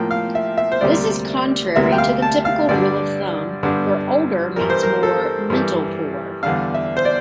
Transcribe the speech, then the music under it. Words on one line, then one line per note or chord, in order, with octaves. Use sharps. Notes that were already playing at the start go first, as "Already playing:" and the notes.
This is contrary to the typical rule-of-thumb where older means more metal-poor.
Already playing: A2 F3 A#3 G5
F5
E5
E5
C5
D2 C3 G3 A#3 D5
D2 C3 G3 A#3 E5
G5
F5
A5
F5
G2 D3 G3 D4 D5
G2 D3 G3 D4
G2 E3 G3 A#4
C5
A#4
A4
G2 E3 G3
E2 D3 G3 D4 F5
E5
C5
D5